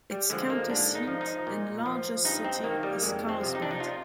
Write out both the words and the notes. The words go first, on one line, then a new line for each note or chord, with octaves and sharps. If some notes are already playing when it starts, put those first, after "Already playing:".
Its county seat and largest city is Carlsbad.
G3
D3 F3 G#3
A#3
G#2 D4
D#4
F3
D#4
A#2
F3
G2 D#4
C4
D#3 A#3
G3
F2 G#3
C4
C3 F3
D#4
D4
D#4
F4